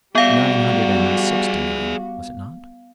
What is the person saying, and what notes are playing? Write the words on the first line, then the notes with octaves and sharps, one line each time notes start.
"Nine hundred and sixty-nine, was it not?" I asked.
G3 B3 F#4 G#4 D5 F5